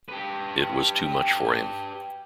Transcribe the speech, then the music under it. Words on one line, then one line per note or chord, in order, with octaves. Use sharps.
It was too much for him.
G4 B4